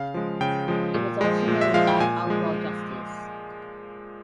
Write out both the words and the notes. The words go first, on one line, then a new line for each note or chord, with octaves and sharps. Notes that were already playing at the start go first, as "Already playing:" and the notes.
It was also known as Outlaw Justice.
Already playing: C#3 F5
F3 G#3
C#3 G5
F3 G#3
A#2
F3 G#3
A#2
E5
F3 G#3 F5
G5
A#2 G#5
F3 G#3